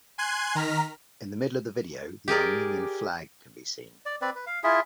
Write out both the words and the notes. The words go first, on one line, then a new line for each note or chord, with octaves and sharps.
In the middle of the video the Armenian flag can be seen.
G#5 C6 F#6 G#6
D#3 A#5 F6 B6
G4 G#4 A#4 D5
D5
C4 B4 D5
B4
F5
E4 F4 G#4 E5